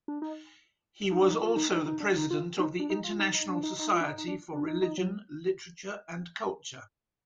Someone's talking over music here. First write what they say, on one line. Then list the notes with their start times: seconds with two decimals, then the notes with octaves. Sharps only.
He was also the President of the International Society for Religion, Literature and Culture.
0.08 D4
0.22 D#4
1.12 D#4
1.22 D4
1.31 D#4
1.42 F4
1.56 D#4
1.71 D#4
1.86 D#4
2.00 D4
2.16 D#4
2.31 F4
2.59 D#4
2.80 D4
2.90 D#4
3.04 F4
3.19 D#4
3.34 D#4
3.49 D4
3.63 D#4
3.79 D#4
3.93 F4
4.01 D4
4.08 D#4
4.18 D#4
4.27 D4
4.53 D4
4.68 D#4
4.82 D#4
4.98 F#3